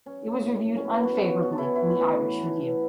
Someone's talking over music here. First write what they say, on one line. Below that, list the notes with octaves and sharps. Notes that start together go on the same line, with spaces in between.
It was reviewed unfavourably in "The Irish Review".
F#3 C#4
A2
A2
F#3
C#4
B2 B3
B3
F#3 F#4
C#4
B2 F#4
B2 F#4
A4
E3 C#4 E4
E4
A2
B3
E3 C#4
E3
A2
E3